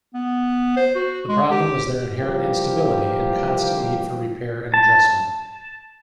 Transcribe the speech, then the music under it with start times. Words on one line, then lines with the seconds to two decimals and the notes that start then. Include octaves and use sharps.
The problem was their inherent instability, and constant need for repair and adjustment.
0.14 B3
0.76 C5
0.95 F#4
1.29 G#3
1.51 G4
2.18 E3 F3 G3 A#3 C4 G4
4.74 A5